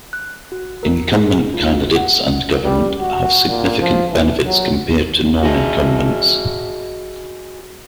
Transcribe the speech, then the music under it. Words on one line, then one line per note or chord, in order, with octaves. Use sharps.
Incumbent candidates and government have significant benefits compared to non-incumbents.
F#6
F#4
A#4
G#4
D#4
F4
F#4
F#5
G3
F#4
A#2
F3
E3
F#3
F#4 G#4 D#5